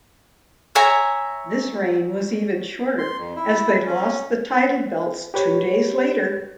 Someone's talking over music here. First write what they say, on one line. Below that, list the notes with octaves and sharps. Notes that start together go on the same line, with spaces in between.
This reign was even shorter, as they lost the title belts two days later.
C#5 E5 G#5 A#5
C6
F2
E4
C#4
G4 B4 C#5